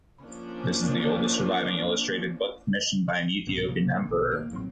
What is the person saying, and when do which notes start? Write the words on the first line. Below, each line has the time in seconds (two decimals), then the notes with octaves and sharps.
This is the oldest surviving illustrated book commissioned by an Ethiopian Emperor.
0.24 F3 A#3 C#4 D4
3.47 C2 G#2 B2
3.68 C3 F3 G3 A#3
3.92 A#2 D3
4.09 A#1 B2
4.33 D#2 D#3 A#3
4.51 A1 F#3 C4